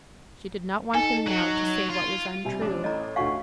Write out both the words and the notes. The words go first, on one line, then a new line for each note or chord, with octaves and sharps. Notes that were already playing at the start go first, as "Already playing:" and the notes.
She did not want him now to say what was untrue.
D#4 A4 G#5
F#3 F#4
F4
C3 G3 G#5
A1 D4
A2 D#5 A#5
D2 F#4 F5 F#5 G#5 C#6